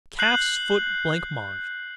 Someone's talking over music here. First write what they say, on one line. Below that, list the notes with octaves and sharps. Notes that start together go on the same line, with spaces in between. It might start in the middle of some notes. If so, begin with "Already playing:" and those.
Calf's Foot Blancmange.
F#6 G6 C7 F#7